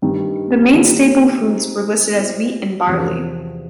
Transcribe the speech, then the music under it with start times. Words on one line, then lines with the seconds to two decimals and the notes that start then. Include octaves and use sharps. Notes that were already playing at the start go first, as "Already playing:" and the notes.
The main staple foods were listed as wheat and barley.
0.02 G2 D#3 G3
0.73 D#3 G3 A#3
1.44 G3 C4 D#4
2.16 G3 B3 E4 G4 C5
2.87 E2 C3 F3